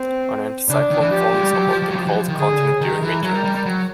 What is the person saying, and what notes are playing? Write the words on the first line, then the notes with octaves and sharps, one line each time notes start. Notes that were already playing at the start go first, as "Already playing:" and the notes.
An anticyclone forms above the cold continent during winter.
Already playing: C4
C#3 D4
D#3
E3
F3 G4
G#3
G3
F#3
F3
F3
F#3
F3
E3
F3
D#3
D3 G#4
D3
C#3
D#3 A#4
E3
F#3 A#4
G3
G3
G3
F#3